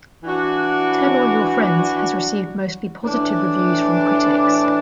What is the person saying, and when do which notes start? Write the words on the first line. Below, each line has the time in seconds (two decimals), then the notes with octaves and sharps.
"Tell All Your Friends" has received mostly positive reviews from critics.
0.24 E3 D4 F#4
3.02 A2 E3 D4